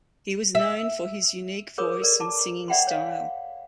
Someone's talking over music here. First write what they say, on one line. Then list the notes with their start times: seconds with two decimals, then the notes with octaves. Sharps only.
He was known for his unique voice and singing style.
0.55 E5
1.78 G#4 A#4 C#5 B5 D6 D#6
2.00 A4 A#4 D5
2.20 A5 A#5 D6
2.68 D5 E5 F#5 G5 B5 C6
2.87 C#5 F5